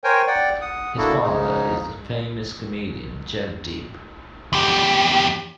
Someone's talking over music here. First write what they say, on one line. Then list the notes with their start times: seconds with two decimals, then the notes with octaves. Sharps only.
His father is the famous comedian Jagdeep.
0.04 A#4 C5 C#5 G5 G#5
0.27 D5 F#5 G5
0.61 F#5 D#6
0.97 A#3 D4 E4 F#4 A4
1.23 G#2 C#3 D#4
4.53 E2 G4